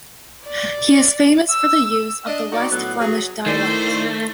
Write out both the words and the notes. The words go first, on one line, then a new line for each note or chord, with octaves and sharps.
He is famous for the use of the West Flemish dialect.
D5
E6
D4 D#5
D#4 F#4 D5
A2 F#3 B3
F#3 G#4
D#3 A3 E4 C5 D5